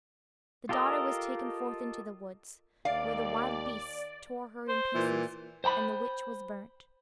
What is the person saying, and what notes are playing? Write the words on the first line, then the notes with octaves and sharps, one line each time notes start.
The daughter was taken forth into the woods, where the wild beasts tore her in pieces, and the witch was burnt.
F4 G4 A4 A#4 D#5
D#2 D5 F5
C5
A#2 E3
C5 G5 A#5 B5